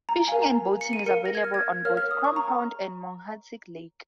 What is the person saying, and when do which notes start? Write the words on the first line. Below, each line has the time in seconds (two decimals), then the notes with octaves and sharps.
Fishing and boating is available on both Crom Pond and Mohansic Lake.
0.09 A#5
0.28 A#4 F5 G#5
0.42 A#5
0.81 C#7
0.93 D#7
1.06 A#4 C#7
1.11 F5
1.26 A#6
1.35 G#6
1.44 F6
1.54 G#6
1.85 A#4 C#5 F5 F6
1.97 F6
2.11 D#6
2.24 C#6
2.36 A#5